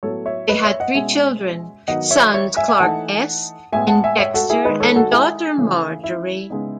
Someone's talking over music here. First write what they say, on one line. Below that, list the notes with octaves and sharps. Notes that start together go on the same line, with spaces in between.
They had three children, sons Clark S. and Dexter, and daughter Marjorie.
A2 F#3 B3 E4 A4 C#5
C#5 E5
B4 D#5
C#5 E5
D#5 F#5
B2 G#3 C#4 E5 G#5
D#3 F#3 B3 D#4 D#5 F#5
C#5 E5
C#5 E5
E5 G#5
E5 G#5
E3 A3 D#4 F#5 A5
A2 G#3 B3 E5 G#5
F#5 A5
E5 G#5
C#5 E5
F#4 A4
E4 G#4
D#3 G#3 D#4 B4 D#5
A4 C#5
F#4 A4
E4 G#4
C#3 E3 A3 C#4
E4
C#3 G#3 B3 D#4